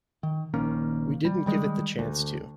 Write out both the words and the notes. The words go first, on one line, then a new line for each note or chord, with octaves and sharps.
We didn't give it the chance to.
D#3
A#1 D#3 A#3 C#4
G3
D#3 G3 G#3
D2